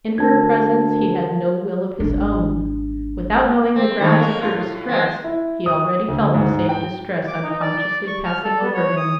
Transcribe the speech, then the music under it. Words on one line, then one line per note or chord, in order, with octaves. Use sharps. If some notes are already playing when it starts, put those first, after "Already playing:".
In her presence he had no will of his own: without knowing the grounds of her distress, he already felt the same distress unconsciously passing over him.
D2 A#4 A5 G#6
G#1 D4
C4
D#3 F3 F#3
A#3 C#4
A2 F4
G#3 C4
E4
D#6
D2
G#2
G5
D6
D#4
D5
D5
C#6
F6
A4
B3
C#5
D#6